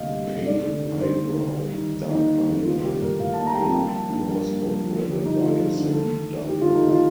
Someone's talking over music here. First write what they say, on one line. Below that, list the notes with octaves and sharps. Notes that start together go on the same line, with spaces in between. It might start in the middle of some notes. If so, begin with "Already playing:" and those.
Pale eyebrow, dark eye line, pale lore spot bordered by a second dark line.
Already playing: D2 C3 G3 A#3 D#5 F5
G3
C3
A3 D5
D3
D#2
D#2 C5
A3
D3
G3
D#3
D#2
A#3 D#4
G3
D#3
A#3 F4
G3 G4
A2 A#4
A2 F5
A5
A#3
A#5
G3 G5
A5
A#3 G5
A5
F3
G5
G2
G2 A#4
A#3
F3
F3
D3
G4
G2 D#4
A3 F4
F3
D3
A3 A4
D#3
D#2
D#2 G4
F4
A3
D#4
D#3
F4